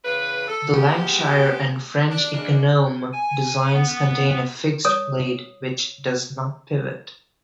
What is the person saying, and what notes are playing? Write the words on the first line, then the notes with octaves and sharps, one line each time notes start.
The Lancashire and French "Econome" designs contain a fixed blade which does not pivot.
E2 C#3 B4
A4
G#3 A#3 B3 G4
D4
C#3 G#3 A#3 D4
G#5
B3
C#5 D#6